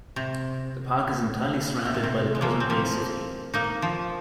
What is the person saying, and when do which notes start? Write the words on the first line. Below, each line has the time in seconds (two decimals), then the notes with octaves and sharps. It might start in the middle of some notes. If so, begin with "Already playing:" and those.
The park is entirely surrounded by the present-day city.
0.16 C3
1.85 C3
1.94 A#2
2.04 C3
2.35 G#3
2.41 F3 A#3
2.60 C4
2.70 F3 A#3
3.54 A#3 D#4
3.82 F3